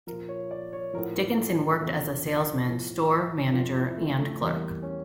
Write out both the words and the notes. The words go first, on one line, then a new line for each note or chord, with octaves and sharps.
Dickinson worked as a salesman, store manager, and clerk.
F3 A#4
A#2
C#5
D5
C#5
A2 F3 A#4
A4
E2 C#3 F3 A4
A2 F3
F2 C#3 F3 F4
E4
A3
A3
E2 E3 G3 A#3
C#4